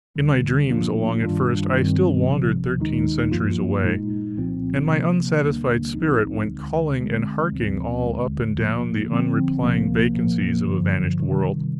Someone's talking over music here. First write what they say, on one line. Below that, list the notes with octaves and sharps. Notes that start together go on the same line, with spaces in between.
In my dreams, along at first, I still wandered thirteen centuries away, and my unsatisfied spirit went calling and harking all up and down the unreplying vacancies of a vanished world.
D#2 D3 G3
A#2 F3 A#3 D4 F4
G2 D#3 G3 D4 F4
G2 D#3 G3 C4
C2 C3 F3
D#2 D#3 G#3 D#4
G2 F3 A#3 F4
A#2 G#3 D#4
C2 A#2 F3 C4 F4
C3 F3 A#3
D#2 D3 G3 A#3 D4
C2 A#2 F3 C4 D#4
D2 D3 G#3
D3 G#3 C4
D2 C3 F3 C4
D#2 D3 G#3
A#2 F3 A#3
D3 F3 C4
C2 C3 F3 A#3
A#2 F3 A#3
G2 D3 F3
C3 D#3 G3